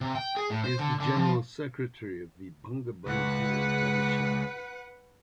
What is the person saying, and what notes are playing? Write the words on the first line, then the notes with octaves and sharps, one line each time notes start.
He is the General Secretary of the Bangabandhu Parishad.
C3
G5
G#4
A2
C5
D3
D3
F3
C#2 B4 F#5